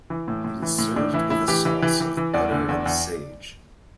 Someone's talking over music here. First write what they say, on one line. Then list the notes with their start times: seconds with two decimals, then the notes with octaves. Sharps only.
It is served with a sauce of butter and sage.
0.10 E3
0.28 A2
0.45 A2
0.62 E3
0.79 A2
0.96 A2 D4
1.14 E3 E4
1.30 A2 E4
1.48 E3 G4
1.65 E3
1.82 E3
2.00 E3
2.17 E3
2.34 E2 D5
2.51 D3
2.69 E2
2.86 E2